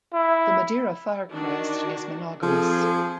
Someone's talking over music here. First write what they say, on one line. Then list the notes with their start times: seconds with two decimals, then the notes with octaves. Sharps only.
The Madeira firecrest is monogamous.
0.13 E4
1.30 D#3 D4 F#4
2.42 F3 C4 G#4 A4